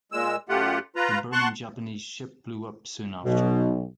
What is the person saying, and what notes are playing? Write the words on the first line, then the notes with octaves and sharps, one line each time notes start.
The burning Japanese ship blew up soon after.
A#2 G#3 E6
F#2 A3 F4 G4 F#5
F4 B4 A#5
F#5 A5 C6 C#6 F#6
B1 B2